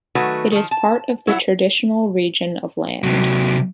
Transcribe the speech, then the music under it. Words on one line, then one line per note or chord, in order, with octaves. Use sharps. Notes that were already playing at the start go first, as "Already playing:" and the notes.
It is part of the traditional region of Land.
D#3 F#3 A3 F#4 B4
D#3 F3
A5
F#3 E4 F#5
C3 F#3